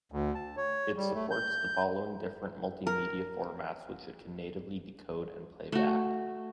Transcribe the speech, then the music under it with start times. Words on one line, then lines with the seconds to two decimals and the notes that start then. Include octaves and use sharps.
It supports the following different multimedia formats which it can natively decode and playback.
0.12 D2
0.35 A5
0.57 C#5
0.96 G3
1.15 A3
1.31 G6
2.87 A#4
5.72 A3 F#4